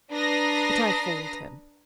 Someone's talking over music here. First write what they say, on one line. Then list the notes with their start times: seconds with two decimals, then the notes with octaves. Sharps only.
But I fooled him.
0.11 D4 B4 A#5 D#6 A#6 C7